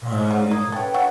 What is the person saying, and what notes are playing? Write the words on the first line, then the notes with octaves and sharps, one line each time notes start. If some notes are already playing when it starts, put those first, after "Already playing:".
Uh, you
C#3 C#5 D5
A#3 D#6 G#6
A3 C#4 B4 C#5 G5
D3 A3 F#4